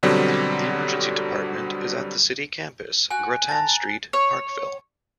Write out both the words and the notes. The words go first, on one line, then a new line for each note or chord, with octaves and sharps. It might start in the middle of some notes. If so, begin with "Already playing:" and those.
The emergency department is at the City Campus, Grattan Street, Parkville.
B2 D3 F#3 G3 C4
F#4 F#5 G#5 F#6
A5 A#5 A6
C#5